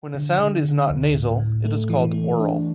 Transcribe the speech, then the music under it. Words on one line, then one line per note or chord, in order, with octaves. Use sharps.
When a sound is not nasal, it is called oral.
D3
D3
D3
D2
A2
A2
A3
E3
A3
D4